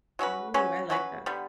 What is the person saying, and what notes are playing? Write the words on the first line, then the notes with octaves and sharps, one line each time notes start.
Mhm. I like that.
F#3 C#4 F#4 B4
F#3 C#4 F#4 B4
F#3 C#4 F#4 B4
D3 G3 B3